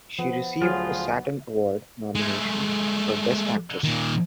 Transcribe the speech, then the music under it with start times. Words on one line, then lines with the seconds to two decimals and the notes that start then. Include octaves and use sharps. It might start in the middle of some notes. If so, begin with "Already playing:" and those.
She received a Saturn Award nomination for Best Actress.
0.19 F3 B3
0.62 D2 F3 F#3 F4 G#4
2.16 G#3 A3
3.84 A#2 D#3